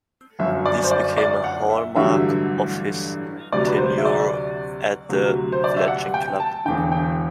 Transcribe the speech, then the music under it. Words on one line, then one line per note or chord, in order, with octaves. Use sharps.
This became a hallmark of his tenure at the fledgling club.
G1 F#2 F#3 E5
D5
C5
D5
D5
F#5
E5
A1 G2 D3 F#3 E5
D2 C3 F#3 D5
B4
C5
E5
D5
D2 C3 F#3
C5
D5
E5
F#5
G5
A5
E1 E2 D3 G5
G5